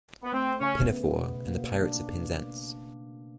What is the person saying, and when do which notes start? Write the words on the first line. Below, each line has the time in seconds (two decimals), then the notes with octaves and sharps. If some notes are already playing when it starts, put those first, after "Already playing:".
Pinafore" and "The Pirates of Penzance.
0.23 B3
0.33 A3 C4
0.60 C#3 C#4
0.90 B3
1.18 B2
1.47 A#3
1.75 D4